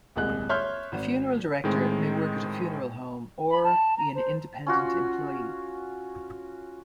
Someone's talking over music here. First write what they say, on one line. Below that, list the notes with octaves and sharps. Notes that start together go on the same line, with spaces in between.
A funeral director may work at a funeral home or be an independent employee.
D#1 C2 G#3 F#6
C#5 E5 C6 F6 G6
G#1
A2 D#3 G#3 C4
B5
A5
A#5
C5
C#4 F4 F#4